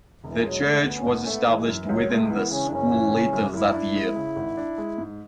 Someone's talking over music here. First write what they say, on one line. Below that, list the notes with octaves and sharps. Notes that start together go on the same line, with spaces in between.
The church was established within the school later that year.
E1 E3
F#3 G#3
D3 A3
D2 B3
C#4
G#1 B3
C#4
A3 B3
E3 G#3
F#2
E3
C#2 F#3
G#3 A3
E3 B3
C#3 C#4
D4
F#1 C#4
E3
C#3
F#2
F#2 E4
D4
G#3
C#3
G#1
D4
G#3
G#2